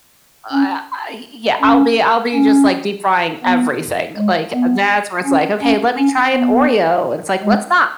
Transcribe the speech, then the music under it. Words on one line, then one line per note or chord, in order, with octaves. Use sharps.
I I Yeah, I I'll be I'll be just like deep-frying everything, like, that's where it's, like, "Okay, let me try an Oreo," it's, like, "Let's not."
C#4
C#4
C#4
B3
G#3
B3
C#4
C#4
C#4
B3
G#3